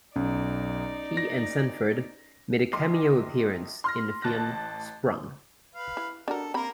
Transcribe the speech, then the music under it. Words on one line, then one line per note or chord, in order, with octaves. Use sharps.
He and Sanford made a cameo appearance in the film "Sprung".
B1 C#4 D#4 D5
A#6
A#1 D#5 C6 D6 C7
C6 F6 A#6
A1 A5 F#6 A6 A#6
B4 F5
E4
D4 F#4 A4 A#4
A#3 C4 A#4 B5